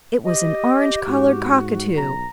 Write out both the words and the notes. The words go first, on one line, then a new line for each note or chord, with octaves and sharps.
It was an orange-coloured cockatoo.
G4 D#5
G#2 F#4
B1 A#5